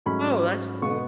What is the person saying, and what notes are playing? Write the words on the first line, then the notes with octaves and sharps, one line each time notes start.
Oh, that's cool.
G#2 F#3 A3 C#4 B5
B2 G#3 B3 C#6